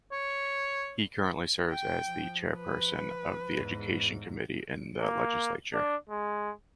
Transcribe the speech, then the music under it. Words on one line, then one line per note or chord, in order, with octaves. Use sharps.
He currently serves as the chairperson of the education committee in the legislature.
C#5
G5
F3
B4
E2 G#2
A#3
D4
G#3